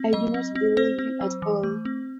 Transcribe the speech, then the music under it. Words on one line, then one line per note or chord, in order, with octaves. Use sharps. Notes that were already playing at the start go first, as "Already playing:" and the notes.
I do not believe him at all!
Already playing: C4
F#3 D#5
C4
C4
C4 C5
C4
F#3
E3
A3
C4